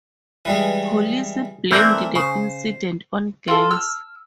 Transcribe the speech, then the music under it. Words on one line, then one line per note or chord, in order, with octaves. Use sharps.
Police blamed the incident on gangs.
E3 G3 G#3 B4
E3 A3 A#3 C4 D4 A#4
C#3 C5
F4 A4
E6 F6